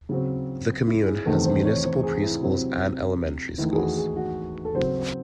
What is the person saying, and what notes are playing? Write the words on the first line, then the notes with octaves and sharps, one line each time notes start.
The commune has municipal preschools and elementary schools.
C#3 F#3 C4
E4
G#4
E2 C3 D#3 A3 C4 A4
C5
C#5
C5
G#4
E4
C3 F#3 C4
E2 D#3 A3 E4
G#4
F#4
G#4
F#4
A4
C#3 F#3 C4 C5